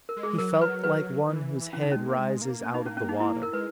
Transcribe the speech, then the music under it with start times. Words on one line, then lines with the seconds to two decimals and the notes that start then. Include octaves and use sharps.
He felt like one whose head rises out of the water.
0.09 A#4
0.16 G#3
0.23 G#4
0.38 F#3 A#4
0.61 B4
0.83 B4
1.28 E3
1.73 E3 C#4
1.83 C#3 D#4
1.91 G#3 C#4
2.07 A#3
2.18 G#3
2.42 A#3
2.64 C#4
2.74 D#4
2.86 C#4
2.97 C#4
3.09 D#4
3.20 E4
3.43 A#4
3.53 G#3 B4